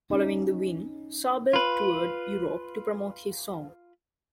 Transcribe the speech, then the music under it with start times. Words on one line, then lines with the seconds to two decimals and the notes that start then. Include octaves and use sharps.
Following the win, Sarbel toured Europe to promote his song.
0.10 C#4 D#4
1.53 F4 B4